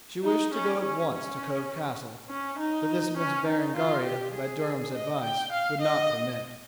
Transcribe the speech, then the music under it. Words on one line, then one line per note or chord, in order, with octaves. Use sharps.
She wished to go at once to Cove Castle, but this Miss Berengaria, by Durham's advice, would not permit.
D#4
C#4
C#4
C#4
C#4
D#4
C#4
D#4
F4
G4
G#4
D#5
G5
F5
D#5